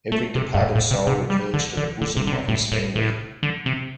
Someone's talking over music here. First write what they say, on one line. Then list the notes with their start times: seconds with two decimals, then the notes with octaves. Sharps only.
Every departed soul returns to the bosom of his family.
0.12 A3
0.35 C3
0.54 G2
0.59 A2
0.75 A2
0.91 C3
1.07 C3
1.30 G3
1.54 D3
1.77 D3
2.01 D3
2.17 C3
2.27 D3
2.32 C3
2.48 A2
2.72 A2
2.96 A2
3.43 D3
3.66 C3